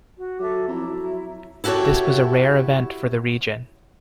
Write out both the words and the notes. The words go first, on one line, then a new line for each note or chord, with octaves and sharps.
This was a rare event for the region.
F#4
F#3 A4 E5 D6
F2 E4 A#5
F#3
E4 F#4 G4 A4 C#5